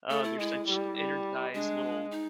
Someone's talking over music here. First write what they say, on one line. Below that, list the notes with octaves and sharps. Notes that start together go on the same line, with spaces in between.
Oh, they're such energized little
A3 A4
E4
G#3 E4
G3
G3
G#3 D4
D#4